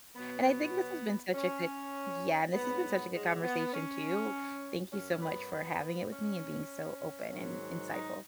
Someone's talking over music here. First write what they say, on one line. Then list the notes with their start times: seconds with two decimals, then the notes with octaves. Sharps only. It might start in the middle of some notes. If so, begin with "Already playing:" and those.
and I think this has been such a good Yeah, this has been such a good conversation too, thank you so much for having it with me and being so open and insightful.
0.14 B2 F#3 B3
1.34 C#4
2.53 G#2 F#3 B3
3.13 G#3
3.42 B3
3.73 C#4
4.92 F#2 F#3 C#4
5.21 B3
5.52 B3
6.11 C#4
7.31 G#2 D#3 F#3
7.91 D#4